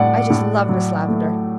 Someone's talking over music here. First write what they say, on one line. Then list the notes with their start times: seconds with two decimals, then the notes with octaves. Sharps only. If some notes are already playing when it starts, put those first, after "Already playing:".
I just love Miss Lavendar.
Already playing: A2 G3 D5 F#5
0.30 A2
0.69 F#3
1.08 A3